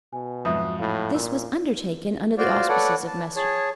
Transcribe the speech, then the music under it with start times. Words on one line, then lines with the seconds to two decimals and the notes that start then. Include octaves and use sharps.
This was undertaken under the auspices of Messrs.
0.13 B2 G#5
0.45 F2 G#2 F#3 E5 D#6
0.79 A2 F5 B5
1.14 A#2 E6
2.38 F4 F#4 C5 D5 F5
2.69 A4 B4 C#5 D5 F#5
3.07 A5
3.36 G#4 C#5 A5